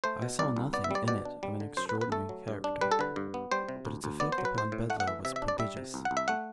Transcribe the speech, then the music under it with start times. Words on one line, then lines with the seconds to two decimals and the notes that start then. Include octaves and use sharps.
I saw nothing in it of an extraordinary character, but its effect upon Bedloe was prodigious.
0.04 A3 C5
0.22 B2
0.39 C2 D5
0.56 C2
0.73 B3 D5
0.84 E5
0.91 G3 D5
1.08 B2 D5
1.25 D4
1.43 G3
1.60 D3
1.77 F#2 C5
1.89 B4
1.95 B3
2.01 B4
2.12 A3 A4
2.29 F#3
2.48 G2
2.64 D4
2.81 G3 B4
2.92 A4
2.99 D3 B4
3.16 G2
3.34 B3
3.52 G3 C5
3.69 C3
3.85 D2
4.04 D2
4.20 B3 D5
4.32 C5
4.38 F#3
4.45 B4
4.55 A2 C5
4.72 A2
4.90 A3 F#5
5.00 F#5
5.08 E3 E5
5.25 C3 E5
5.36 E5
5.42 D4
5.48 D5
5.59 G3 E5
5.77 C3
5.94 C2
6.05 F#5
6.11 C2
6.17 E5
6.28 A3 F#5